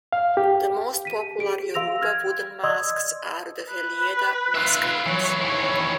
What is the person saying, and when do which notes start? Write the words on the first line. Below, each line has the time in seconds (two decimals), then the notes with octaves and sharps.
The most popular Yoruba wooden masks are the Gelede masquerades.
0.13 F5
0.37 G4
1.05 B6 D#7
1.38 G4 G#4 D7
1.74 F5 C6 E6 A#6 F7
2.01 F6 G#6
2.63 D5 D#5 C6 D#6 E6 G#6
3.69 B4
4.55 F4 E5
5.07 E3 F#3 C#5
5.41 D#2 E3 C#5